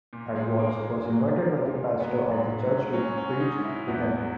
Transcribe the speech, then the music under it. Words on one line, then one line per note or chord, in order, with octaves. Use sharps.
Edwards was invited by the pastor of the church to preach to them.
A#2
G#3
A#2
A#3
A#2
G#3
F#3 A#3
A#2
A#2
F#3 B3
G#2
F#3
F#3 C#4
C#4
F#3
D#4
G#2
E4
E2 B3
F#3